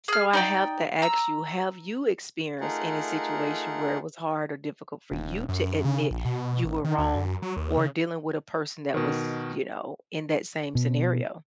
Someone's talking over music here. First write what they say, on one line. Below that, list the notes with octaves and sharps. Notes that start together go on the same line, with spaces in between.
so, I have to ask you, have you experienced any situation where it was hard, or difficult, for you to admit you were wrong, or dealing with a person that was, you know, in that same scenario?
G#4 F6
D#4 D5 G5
A#5 E6
A3 D#4 F4 G#4 A#4 F#5
D#1
F#2
C#3
A#1
B2
A1
D#3
D2
F#2
F#3
D#2
C#3
B2 D#3
B2